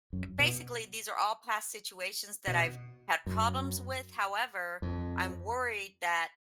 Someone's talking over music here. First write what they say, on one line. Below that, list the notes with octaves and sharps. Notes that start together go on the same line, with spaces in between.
basically, these are all past situations that I've had problems with, however, I'm worried that,
F#2
B2
B2
F#2
F2